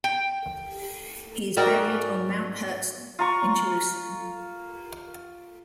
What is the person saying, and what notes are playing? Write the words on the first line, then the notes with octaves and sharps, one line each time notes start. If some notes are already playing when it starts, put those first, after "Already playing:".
He is buried on Mount Herzl in Jerusalem.
G5
G#2 F#4 A#4 D5 G5
F4 A#5 C#6